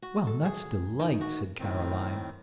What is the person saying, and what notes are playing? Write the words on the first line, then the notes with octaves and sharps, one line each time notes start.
"Well, that's delight," said Caroline.
F#4
A4
G#4
D#3
F#4
A2 D#3 C4